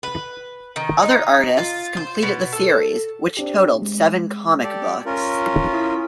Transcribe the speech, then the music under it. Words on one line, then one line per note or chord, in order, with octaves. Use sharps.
Other artists completed the series, which totaled seven comic books.
B4
D#3
D#4
F4
C5
B2
A4
C4 D4 G4
G#3
G4 A4 D5
C#4 F4 A#4
E4 D#6 B6